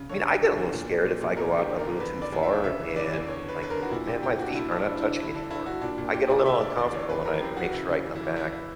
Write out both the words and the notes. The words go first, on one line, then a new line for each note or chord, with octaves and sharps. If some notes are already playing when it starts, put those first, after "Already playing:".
I mean, I get a little scared if I go out a little too far and like, "Ooh, man, my feet are not touching anymore." I get a little uncomfortable and I make sure I come back
Already playing: C#3
D3 C#5
D3
D3
E2
A#2
A#2
A#2
A#2
E2 A#4
D3
G4
D3
A#4
D3
E2 B4
D3
D5
E2
E5
D3
C#3 E5
E3
E3 D5
E2
D3 C#5
D3
B4
D3 B4
A#4
D3
F#4
A#2 E4
A#2 G4
A#2 G4
A#2 F#4
D4
G2 E4
G2 D4 E4
G2
E4
D3
G2 E4
D3 D4
G2 E4
G2 F#4
A#2 D4
A#2
A#2 G4
A#2 D5
D3 E5
D3 D5
E2 D5
D5
E2 C#5
F#2 B4
E3 A#4
F#2 G4
F#2 F#4
C#3 E4
C#3
E2
E3 E4
E3 E4
E4